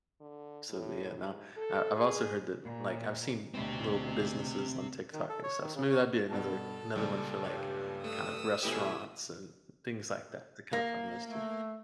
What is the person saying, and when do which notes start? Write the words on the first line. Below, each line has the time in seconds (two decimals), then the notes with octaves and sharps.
So, yeah, no. Uh, I've also heard that, like I've seen little businesses on TikTok and stuff, so, maybe that'd be another another one for, like, kind of restaurants and things like that to kind of find those too.
0.20 D3
0.69 A2
1.17 G#2
1.57 A4
1.96 G#4
2.65 A#2
3.54 D2 B2 C4 G4
5.13 D#3
5.29 A4
5.44 C#5
5.61 D#3
5.75 C#3
5.90 C#5
6.31 G2 B2 A4 A5
6.96 C#2 A#2 G3
7.43 G2 C#5
8.04 A3 D#6 E6
8.63 B2 E3 A3 C#4 E4 G4
10.73 A#3
11.25 A3